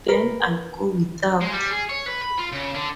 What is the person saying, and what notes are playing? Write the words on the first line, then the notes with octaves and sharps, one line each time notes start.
Then I'll go without.
A#4 B4
G#3
G3
G#4
C#5
B4
B5
F4
C#3
D3